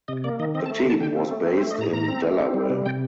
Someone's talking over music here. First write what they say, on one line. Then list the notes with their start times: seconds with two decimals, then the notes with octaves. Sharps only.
The team was based in Delaware.
0.08 C3 D#5
0.24 A#3 D5
0.39 D#3 D#5
0.55 C4 D#5
0.66 A5
0.70 A3
0.78 A#5
0.85 D3 A5
1.00 D3 G5
1.16 C4
1.31 A3
1.47 C4
1.58 C5
1.63 A3
1.71 D#5
1.78 A2 A#5
1.93 A2 A#5
2.08 C4
2.23 A3
2.39 C4
2.54 G3
2.70 C3
2.86 C3 G5